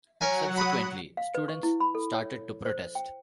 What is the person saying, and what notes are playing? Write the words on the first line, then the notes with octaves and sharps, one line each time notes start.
Subsequently students started to protest.
F#3 C#4 A#4 F#5 G#5
B5 D#6
F5
B4
C#6
E4
B5
A4
C#5
C5
G5